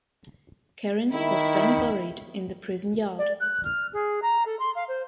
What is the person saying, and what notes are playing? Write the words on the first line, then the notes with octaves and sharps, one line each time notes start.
Kerins was then buried in the prison yard.
D#3 E4
D5
F#6
F6
G#4
A#5
A4
C6
F5
C5